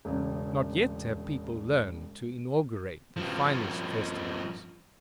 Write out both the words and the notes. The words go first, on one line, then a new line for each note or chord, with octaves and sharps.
Not yet have people learned to inaugurate the finest festivals.
E1 A1 C#3
G2 F3